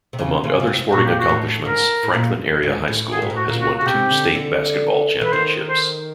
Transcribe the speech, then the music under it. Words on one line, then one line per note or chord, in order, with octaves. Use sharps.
Among other sporting accomplishments, Franklin Area High School has won two state basketball championships.
C3
C#3
C#3
C#3
C3
A#2 F#4
G4
F#4
A2
G#2 A#4
A2
A#2
G#2
A2
A2 G#4
G#2
A2
F#4
A#2
F#4
F#4
C#3
C3 G4
D3
D3
E3 B4
D#3 C5
C5